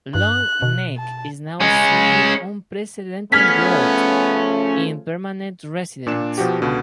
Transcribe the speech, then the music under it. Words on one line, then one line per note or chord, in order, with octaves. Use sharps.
Long Neck is now seeing unprecedented growth in permanent residents.
G2 F#6
B2
A5
G#3 C#4
C#3 F3 A3 B3 C#4 F6 G#6 B6
A#2 D4 E7
B2 F3 F#4 G4
C#2 B2 D3